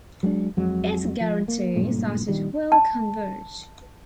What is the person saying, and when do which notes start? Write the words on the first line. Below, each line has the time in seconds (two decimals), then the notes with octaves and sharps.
It guarantees that it will converge.
0.23 F#3 G#3 A#3 D4
0.57 F2 F#3 G#3
1.21 F3
1.48 A#3
1.76 F#1 G2 A#2 A3
2.28 A#1 D#3 G3
2.72 A5